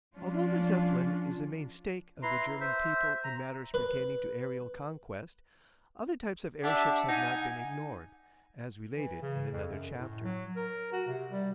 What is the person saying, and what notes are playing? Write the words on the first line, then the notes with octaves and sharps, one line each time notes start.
Although the Zeppelin is the main stake of the German people in matters pertaining to aerial conquest, other types of airships have not been ignored, as related in another chapter.
F3 C#4 D4 F4
E4 B4 A#5 C6
C5 E5
A#5
B4
D4 G4 E5 F#5
D#4 G#5
E3
C#3
F2
F#2
A2
F#3
A#4
F#4
C3
G3